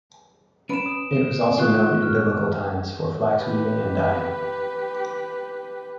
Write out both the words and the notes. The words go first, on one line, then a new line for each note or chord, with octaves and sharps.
It was also known in biblical times for flax weaving and dyeing.
C#4 B4 B5 D7 E7
D#6
C4 C5
B3 F4 C#6 D#6 F#6
F6
G4 B4